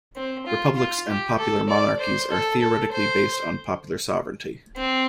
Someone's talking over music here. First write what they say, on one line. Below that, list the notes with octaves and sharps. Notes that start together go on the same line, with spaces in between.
Republics and popular monarchies are theoretically based on popular sovereignty.
C4
F4
F4
G4
A4
D5
C5
A4
A4
C5
C4